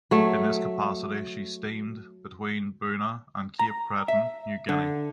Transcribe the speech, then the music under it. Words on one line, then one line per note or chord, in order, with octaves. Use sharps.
In this capacity, she steamed between Buna, and Cape Cretin, New Guinea.
F#3 A3
A#5
E5
D3